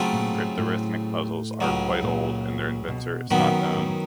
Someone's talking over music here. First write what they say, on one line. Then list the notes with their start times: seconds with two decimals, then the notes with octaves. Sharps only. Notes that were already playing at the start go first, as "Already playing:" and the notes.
Cryptarithmic puzzles are quite old and their inventor is not known.
Already playing: C#3 F#3 A3 C4 F4
0.13 A#2
0.34 A2
0.58 A2
1.60 C#2 C#3 F#3
2.03 A#2
2.88 B2
3.30 F#2 A#2 D#3 F#3 B3
3.73 A2